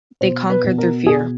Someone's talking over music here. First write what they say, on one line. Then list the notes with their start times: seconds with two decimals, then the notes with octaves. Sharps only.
They conquered their fear.
0.21 B2 C5
0.50 B4
0.64 B2
0.78 A#4
1.06 B2 G#4